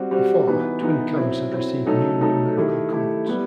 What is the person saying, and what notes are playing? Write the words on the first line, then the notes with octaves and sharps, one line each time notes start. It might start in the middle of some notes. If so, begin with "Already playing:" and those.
Before, twin cams had received new numerical codes.
Already playing: G3 C4 F#4
G3 C4 F#4
E3 B3 D#4
E3 B3 D#4
F#3 C4 E4
F#3 C4 E4
F#3 A3 D#4 A4
F#3 A3 D#4 A4
D#3 A3 E4 G4
D#3 A3 E4 G4
G3 B3 E4